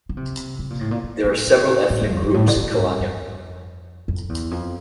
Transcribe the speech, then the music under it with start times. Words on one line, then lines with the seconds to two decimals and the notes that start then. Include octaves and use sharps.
There are several ethnic groups in Kalyana.
0.09 D3
0.17 C3
0.59 C3
0.70 A#2
0.81 A2
0.91 A#2
1.04 A#2
1.25 A2
1.47 A2
1.90 A2
2.02 G2
2.12 F2
2.23 G2
2.34 A2
2.48 D3
2.56 C3
2.63 A#2
2.70 A2
2.78 G2
3.00 F2
4.08 F2
4.29 E2
4.51 F2